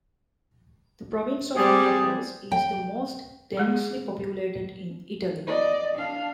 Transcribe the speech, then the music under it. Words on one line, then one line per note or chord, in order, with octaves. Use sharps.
The province of Naples is the most densely populated in Italy.
G3 C4 G4 G#4
G5
G#3 G#4
D5 D#5
D4 F5